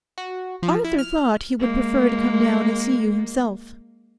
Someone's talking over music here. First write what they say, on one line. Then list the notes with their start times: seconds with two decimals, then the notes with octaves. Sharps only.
'Arthur thought he would prefer to come down and see you himself.'
0.18 F#4
0.63 F3
0.84 E4
0.98 F6
1.60 G#3 A#3